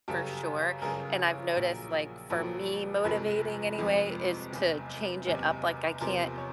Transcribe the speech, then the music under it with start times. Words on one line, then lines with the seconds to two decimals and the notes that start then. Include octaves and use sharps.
for sure, and I've noticed, like, for me, motivating anyway is to change it up, like, I can't
0.08 G1 F#2 C#3 G4 A4
0.82 G1 F#2 C#3 G#4 A#4
1.56 A#1 A#2 F#3
2.30 A#1 A#2 F#3 A4 B4
3.04 G1 F2 C3 F3 G#3 A4 B4
3.78 G1 F2 C3 F3 G#3
4.52 F#1 E2 C3
5.27 F#1 E2 C3
6.01 E2 C3 F3 A#4 C5
6.38 C#5